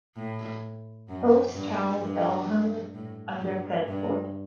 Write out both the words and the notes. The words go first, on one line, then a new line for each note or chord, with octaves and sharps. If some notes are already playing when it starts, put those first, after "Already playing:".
Post Town, Elmham, under Thetford.
A2
F#2
G2
G2
A2
G2
G2